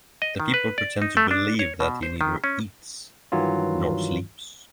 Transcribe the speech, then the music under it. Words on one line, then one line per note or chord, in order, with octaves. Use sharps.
The people pretend to believe that he neither eats nor sleeps.
D#5
D#3
B4
D5
D#4
A3
D4
C#5
B2
C5
D#3
C#4
G2 D#3 E3 F#3 F4